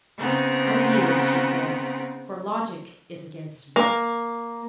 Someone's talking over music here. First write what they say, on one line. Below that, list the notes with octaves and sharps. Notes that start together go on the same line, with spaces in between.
"I yield," she said, "for logic is against me."
C#3 B3 C4 D#4
A#3